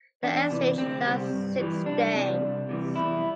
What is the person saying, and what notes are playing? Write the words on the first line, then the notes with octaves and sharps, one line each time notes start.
The egg stage lasts six days.
E2 D4
C3 E3
D2 C4
C3 G3
G2
E3 G3
C2 D4
C3 E3 G3
C2
C3 E3 G3
E2 E4